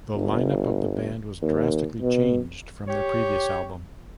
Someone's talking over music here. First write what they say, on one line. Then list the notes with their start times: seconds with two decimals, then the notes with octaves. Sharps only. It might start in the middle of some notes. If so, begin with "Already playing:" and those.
The line-up of the band was drastically changed from their previous album.
0.15 G1
1.42 D#2
2.01 B2
2.88 G4 C#5